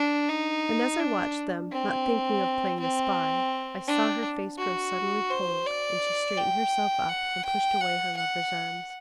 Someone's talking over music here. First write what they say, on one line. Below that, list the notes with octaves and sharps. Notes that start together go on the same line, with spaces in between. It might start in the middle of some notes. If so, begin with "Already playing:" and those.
And as I watched them--not thinking of playing the spy--I saw her face grow suddenly cold, and she straightened herself up and pushed away her lover's arms.
Already playing: D4
D#4
D4
C4
C4
D4
F#4
C5
D5
G5
F#5
G5
F#5
F#5